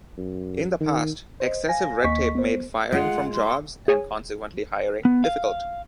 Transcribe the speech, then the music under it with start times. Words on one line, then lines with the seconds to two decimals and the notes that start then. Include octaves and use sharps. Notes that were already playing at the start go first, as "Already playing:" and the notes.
In the past, excessive red tape made firing from jobs, and consequently hiring, difficult.
0.17 F#2
0.80 D#3
1.40 C5 D#5
1.69 F5 G#5 A#6
2.04 D#2 A#3 D#5 C#6 B6
2.35 B3 C5
2.92 G#3 F4 F#5
3.34 C6
3.88 G#4 C#5 G#5
5.05 B3
5.24 F5